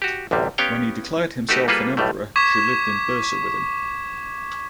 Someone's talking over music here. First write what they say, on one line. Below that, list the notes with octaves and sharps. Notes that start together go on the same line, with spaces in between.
When he declared himself an emperor she lived in Bursa with him.
F#4 G4
A1 D2 C3 G3
B3 C#4 G4 C#5 F5 G5
A3 D#4 F#4 G4 B4
G3 A#3 F4 G#4 A4 B4
B1 A2 G3 A3
C#6 D6 G#6 B6 E7